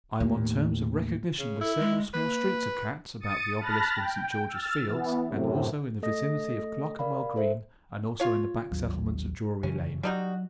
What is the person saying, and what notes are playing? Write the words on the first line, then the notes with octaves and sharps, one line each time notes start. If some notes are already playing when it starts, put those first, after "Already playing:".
I am on terms of recognition with several small streets of cats, about the Obelisk in Saint George's Fields, and also in the vicinity of Clerkenwell- green, and also in the back settlements of Drury-lane.
D#2 A2
C#3
E4 A4
G#3
A#3 B4
D#6 A6 C#7 D#7
A5 B5 F6 F#6 A6 A#6
G5
E6 F6 A6
E3 B3
F#2 A2 C3
A3 A4 D#5 D#6 A#6
A#4 D5 F5 B5
A4 C5 E5
F4 C#5
A1 D#2 F#3
F#2 C#3 E3 C#4
F#3 G3 D#4 F#4